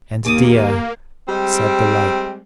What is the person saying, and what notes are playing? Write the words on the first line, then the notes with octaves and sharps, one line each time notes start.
And Dea! said the light.
D#2 A#3 D6 D#6
G3 G#3 C4